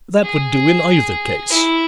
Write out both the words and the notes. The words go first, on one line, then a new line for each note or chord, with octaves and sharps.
That would do in either case.'
G#4
E4